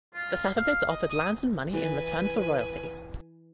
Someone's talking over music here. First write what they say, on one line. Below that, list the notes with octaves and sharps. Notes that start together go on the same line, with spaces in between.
The Safavids offered land and money in return for loyalty.
F4
F5
D#5
D#6
E3 B4 D5 G#5